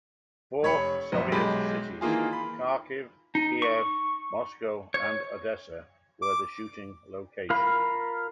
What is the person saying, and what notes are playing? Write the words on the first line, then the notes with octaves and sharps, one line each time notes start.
Four Soviet cities - Kharkiv, Kiev, Moscow and Odessa - were the shooting locations.
F1 C#5 B5 C#7
A#1 F#2 E5
B1 G#3 G4 B5
D#3 E3 A#3 F4 G#4
B5
D#4
C#6
C#5
D6
F4 A#4 F5 B5